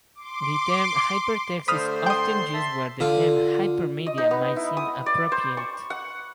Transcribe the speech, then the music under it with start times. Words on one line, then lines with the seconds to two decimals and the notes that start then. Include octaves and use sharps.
The term "hypertext" is often used where the term "hypermedia" might seem appropriate.
0.15 C6 D6
1.68 D3 A3 C5 B5 D#6 F6
2.06 G5 C6 D#6
2.54 E5 A5
3.00 D3 F4
4.06 D#5
4.18 D#4
4.31 B3
4.56 E4
4.77 D#6
5.06 D5
5.32 C5
5.57 C#6
5.90 F#5